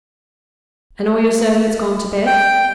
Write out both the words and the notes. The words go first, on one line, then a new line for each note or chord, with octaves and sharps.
"And all your servants gone to bed?"
G5